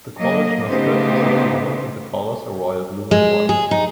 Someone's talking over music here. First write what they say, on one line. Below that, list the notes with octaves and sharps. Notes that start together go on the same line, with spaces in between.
The college mascot is the puma and the colors are royal blue and white.
F#3 A#3 D#5
C#3 A3 B3 D#4 G4 C5
G#3
G#4
D#4